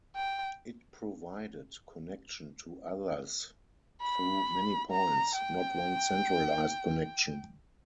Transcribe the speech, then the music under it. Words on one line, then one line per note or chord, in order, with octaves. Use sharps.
It provided connection to others through many points, not one centralized connection.
G5
B5
A#5
G5